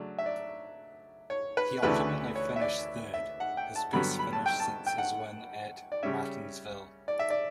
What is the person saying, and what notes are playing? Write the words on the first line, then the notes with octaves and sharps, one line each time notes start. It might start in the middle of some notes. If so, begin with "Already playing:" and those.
He ultimately finished third; his best finish since his win at Martinsville.
Already playing: C#3 F#3 A3 D4
E5
D5
C#5
B4
D2 C#3 E3 A3 D4 B4
C#5
E5
D5
E5
F#5
G5
A5
G2 D3 F#3 B3 B5
B5
A5
G5
A5
G5
F#5
D5
C#3 G3 C#4 E5
D5
E5
D5